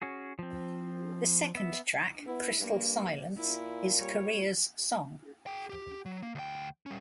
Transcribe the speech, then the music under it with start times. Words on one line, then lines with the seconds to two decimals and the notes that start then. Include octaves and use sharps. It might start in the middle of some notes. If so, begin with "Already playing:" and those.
The second track, "Crystal Silence", is Corea's song.
0.02 C#4 F#4 G#4
0.39 F3 C4
1.55 B3 E5
2.26 B3 E4
2.60 G2 A#3
3.37 A#2 E4
3.98 G3 C#5
5.46 G#4 G5
5.70 G4
6.06 F#3
6.23 A#3
6.35 D2 G5
6.86 G3 C#4